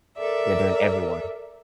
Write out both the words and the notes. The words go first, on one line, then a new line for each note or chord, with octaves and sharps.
you're doing everyone
A4 A#4 D5 E5